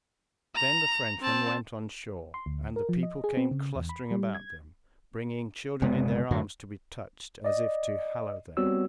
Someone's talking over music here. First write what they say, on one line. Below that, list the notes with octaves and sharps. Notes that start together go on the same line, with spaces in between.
Then the Frenchmen went on shore, and the people came clustering about them, bringing children in their arms to be touched, as if to hallow them.
A#5
C4 A5
C6
D2
A#4
F3
D#5
G#4
C4
C#3
E2
B5
G3
G#6
F#1 C3 G#3 B3
F#2 A2 D3 F#3
D5 D#5
G3 B3 C4 F#4 C#5 E6